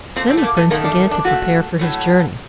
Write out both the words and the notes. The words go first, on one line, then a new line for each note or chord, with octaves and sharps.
Then the prince began to prepare for his journey.
A#2 A3 C4
C4
A3
A#3
A3
F#2 D#3 A3 A#3
D4
D4
A#2 A3 F#4
A2 F#3 A3